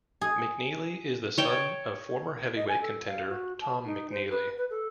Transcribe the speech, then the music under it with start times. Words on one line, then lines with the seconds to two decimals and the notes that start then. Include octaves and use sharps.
McNeeley is the son of former heavyweight contender Tom McNeeley.
0.21 G#4
1.38 C#5 G5 A5
2.56 D#5
2.68 G#5
2.81 A4
3.06 F5
3.29 F#4
3.61 A5
3.85 D#4
4.11 C5
4.30 B4
4.57 B4
4.70 A4